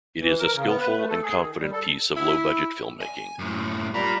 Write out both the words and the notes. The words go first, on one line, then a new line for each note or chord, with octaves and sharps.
It is a skilful and confident piece of low budget filmmaking.
E3
A#4
C#3
B3
B4
A3
A4
G#4
D#3
G3
A4
E4
G#5
F#2 A2
G3 F4 A#4 A#5 B5